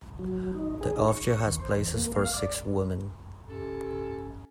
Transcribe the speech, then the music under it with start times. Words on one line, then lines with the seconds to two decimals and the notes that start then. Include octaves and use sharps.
The hofje has places for six women.
0.19 F#3
0.54 D#4
0.81 G#4
0.96 D#4
1.08 C#6
1.44 D#2
1.59 C5
1.76 E2
1.94 A#3
2.15 F5
2.33 D5
3.49 C3 C#4 A4